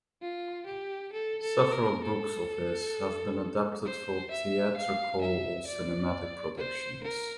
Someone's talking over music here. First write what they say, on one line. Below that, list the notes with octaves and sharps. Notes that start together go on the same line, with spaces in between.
Several books of his have been adapted for theatrical or cinematic productions.
F4
G4
A4
A4
A#4
A4
C5
E5
F5
E5
D5
C5
A#4